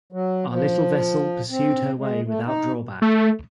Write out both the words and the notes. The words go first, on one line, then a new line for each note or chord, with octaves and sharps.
Our little vessel pursued her way without drawback.
F#3
F3
C4
G#3
A3
D#4
A3